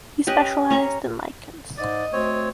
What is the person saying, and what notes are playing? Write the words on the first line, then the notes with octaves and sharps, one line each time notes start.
He specialized in lichens.
C#4 G4 B4 D#5
C#4 C#5 A#5 C#6
G#2 D5 D#5
D2 C4 C5 C#5